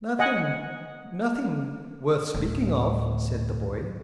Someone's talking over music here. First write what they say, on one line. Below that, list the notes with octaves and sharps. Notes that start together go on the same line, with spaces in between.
"Nothing--nothing worth speaking of," said the boy.
D#5 F#5 G#5
D2 A2